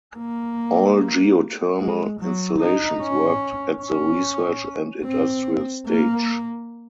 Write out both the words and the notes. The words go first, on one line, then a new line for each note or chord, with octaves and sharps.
All geothermal installations worked at the research and industrial stage.
A#3
G#3
F#3
D#4
C#4
C#4
C4
A#3